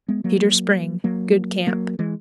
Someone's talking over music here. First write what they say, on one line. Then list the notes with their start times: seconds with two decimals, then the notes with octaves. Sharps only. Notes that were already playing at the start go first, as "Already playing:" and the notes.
Cedar Spring.--Good camp.
0.08 G#3 B3
0.24 F#3 A#3
1.04 F#3 A#3
1.67 F#3 A#3
1.99 E3 G#3